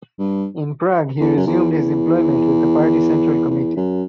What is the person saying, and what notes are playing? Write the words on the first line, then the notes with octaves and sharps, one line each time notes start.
In Prague he resumed his employment with the party central committee.
G2
E2
F#2
E2
E2
E2
F#2